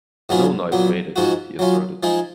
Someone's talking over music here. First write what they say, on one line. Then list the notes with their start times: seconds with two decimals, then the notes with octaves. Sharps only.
"No knife made it," he asserted.
0.29 G#2 F#3 B3 F4 G#4
0.72 A#2 F#3 B3
1.16 G#2 F3 G#3 D#4 F#4
1.59 F#3 C#4 F4
2.03 F3 G#3 D#4 G#4